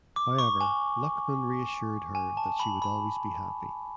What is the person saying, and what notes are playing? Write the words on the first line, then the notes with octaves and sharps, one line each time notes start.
However Luqman reassured her that she would always be happy.
D6
C#6
G#5
G#5
A5
B5
B5